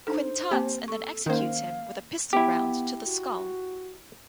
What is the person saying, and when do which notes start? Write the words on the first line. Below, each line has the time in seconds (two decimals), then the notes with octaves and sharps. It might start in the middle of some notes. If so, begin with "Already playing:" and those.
Quinn taunts and then executes him with a pistol round to the skull.
0.07 D4 D#4 A4 C5
0.51 A#3 C4 G4 A5
0.88 A4 C#6
1.26 D#3 A#3 C#4 A#4 C5 F5
2.33 B3 E4 G4
3.05 F#4